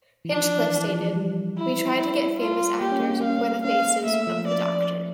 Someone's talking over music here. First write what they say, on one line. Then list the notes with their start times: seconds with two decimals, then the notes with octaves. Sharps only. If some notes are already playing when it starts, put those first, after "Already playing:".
Hinchcliffe stated, We tried to get famous actors for the faces of the Doctor.
0.25 E3
0.32 F3 D4
0.60 E3
0.88 F3
1.16 G3
1.57 E4
1.98 E4
2.40 F4
2.81 A#3 G4
2.92 C#4
3.00 A#3
3.10 C#4
3.20 A#3 F5
3.30 C#4
3.39 A#3
3.64 C#4 F5
3.85 A#3
4.06 A3 E5
4.27 F3
4.48 D5